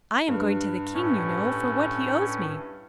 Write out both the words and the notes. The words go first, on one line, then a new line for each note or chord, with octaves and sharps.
'I am going to the King, you know, for what he owes me.'
G2
A2 C#4